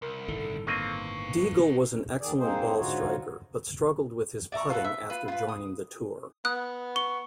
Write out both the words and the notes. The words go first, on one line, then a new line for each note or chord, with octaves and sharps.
Diegel was an excellent ball-striker, but struggled with his putting after joining the tour.
C2 A#4
G1 A2 D#3 A4
A#3 C4 B4 D#5 F5 C#6
D#2 D#3 G#4 D5
G#3 A#3 C4 D#4 G#4 C5
G#2 D3 D#4 F4 F#4 C#5
D5 E5 A#5 C#6
F4 A4 B4 F#5
E5
F4 B4
F4 B4
D#6
B3 D#6 F#6
C#6 G7